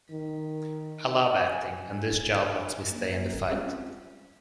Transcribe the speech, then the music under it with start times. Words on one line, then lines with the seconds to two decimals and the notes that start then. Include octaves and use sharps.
I love acting and this job lets me stay in the fight.
0.11 D#3
1.49 G#5
2.89 A#3
3.50 G3 G#3 C4 C#4 F4